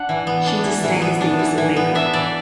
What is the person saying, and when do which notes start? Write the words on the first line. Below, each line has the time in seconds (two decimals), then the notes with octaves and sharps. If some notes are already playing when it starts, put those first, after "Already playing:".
She disdains the use of makeup.
Already playing: D4 F#5
0.09 E3
0.27 B3
0.46 D4
0.64 E3
0.84 E3
1.02 B3
1.21 D4
1.39 E3
1.58 E3
1.77 B3
1.95 D4 E5
2.13 E3 D5